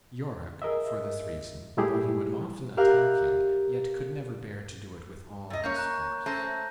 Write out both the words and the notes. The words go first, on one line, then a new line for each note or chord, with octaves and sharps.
Yorick, for this reason, though he would often attack him--yet could never bear to do it with all his force.
G#4 A#4 D#5 E5
A#2 G3 A3 E4 G4 G#4
G4 A#4 E5 F5 F6 F#6
C3 D#5
A#3 C#4 C#5 G6
A#5 F#6
A3 C#4 C5 A5 G6 A#6